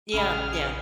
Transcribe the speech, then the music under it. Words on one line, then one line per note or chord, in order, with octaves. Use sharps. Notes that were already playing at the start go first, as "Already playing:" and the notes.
Yeah, yeah,
A#1 C#3 G#4 B5 F6